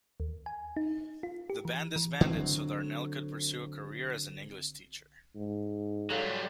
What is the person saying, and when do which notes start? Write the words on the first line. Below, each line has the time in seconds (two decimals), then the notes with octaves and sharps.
The band disbanded so Darnell could pursue a career as an English teacher.
0.20 D#2
0.46 G#5
0.77 D#4
1.23 F4
1.50 G4
1.65 E3
1.96 E3
2.21 D3 F#3 B3 C4
5.36 G#2
6.10 F#3 G3 A4 C#5 F5